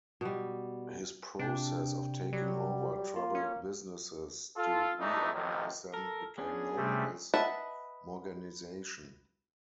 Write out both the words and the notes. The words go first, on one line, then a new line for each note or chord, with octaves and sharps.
His process of taking over troubled businesses to reorganize them became known as "Morganization".
B2 G3
C3 D4 G5
F#3 G3
A#3 F4
C#4
F4 A4
E2 E3 A3 D4 D#4
A1 F#2 C3 D#3
A4 A#4
B3 C#4 D4 G#4
C3 G3 A3
B4 D#5 E5 F#5 A5